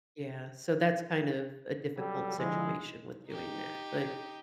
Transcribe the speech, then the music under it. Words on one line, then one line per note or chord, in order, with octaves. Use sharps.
Yeah. So, that's kind of a difficult situation with doing that. But,
F#3 G3 A4
D3 F3 G#3 E4
D#4 G4